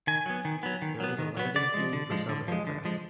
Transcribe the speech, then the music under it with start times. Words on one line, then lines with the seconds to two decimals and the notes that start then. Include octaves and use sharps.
There is a landing fee for some aircraft.
0.07 D#3 G#5
0.26 F#3 B3
0.45 D#3
0.63 F#3 B3
0.82 D#3
1.00 F#3 B3
1.18 D#3
1.37 F#3 B3
1.56 D3 D5
1.74 F3 G#3
1.93 D3
2.11 F3 G#3
2.29 D3
2.48 F3 G#3
2.67 D3
2.85 F3 G#3